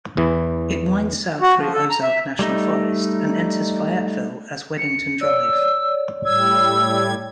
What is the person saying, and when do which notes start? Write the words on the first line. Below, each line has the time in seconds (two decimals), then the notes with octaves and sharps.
It winds south through Ozark National Forest and enters Fayetteville as Wedington Drive.
0.17 E2 E3
1.41 F#4
1.56 F3
1.73 A4
1.90 A#5
2.02 E5
2.39 G3 A3 D#4
4.78 C#7
5.21 C#5 D5 E6
6.25 A2 G3 E6 G#6